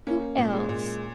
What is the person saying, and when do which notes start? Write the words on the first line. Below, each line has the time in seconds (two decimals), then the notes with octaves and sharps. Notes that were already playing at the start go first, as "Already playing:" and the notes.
Who else?
0.07 A#3 C#4
0.38 A#2
0.53 G#3
0.69 A#2